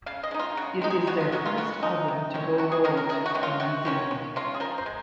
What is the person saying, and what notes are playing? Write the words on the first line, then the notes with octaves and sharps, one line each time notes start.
It is their first album to go gold in New Zealand.
C#3 F5
D#5
G#3 D#4
F4
C#3 F#4
G#3 D#4
G#4
C#3 F#4
F4
G#3 D#4 F#4
F4
C#3 F#4
G#3 D#4
C3
D#3 G#3 C#4
C3 F#4
G#4
D#3 G#3 C#4 A#4
A#4
C3 G#4
F#4
D#3 G#3 C#4
F4
C3 F#4
D#3 G#3 C#4
F3
G#3 C#4 F4
G#4
F3 A#4
C5
G#3